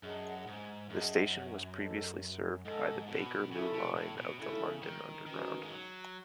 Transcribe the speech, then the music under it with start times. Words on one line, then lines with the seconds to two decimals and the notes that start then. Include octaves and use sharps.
The station was previously served by the Bakerloo line of the London Underground.
0.03 F#2 G#4 D#5 F#5 A5
0.47 G#2
0.90 F#2 G#4 D#5 F#5 A5
1.77 A4 D#5 A5
2.64 G#2 A4 D#5 A5
3.08 B2
3.52 C#3 E4 A4 E5
3.74 B2
3.95 A2
4.17 B2
4.39 C#3 E4 A4 E5
4.82 D#3
5.26 D#3 C#4 F#4 B4
5.63 G#3
5.70 F#3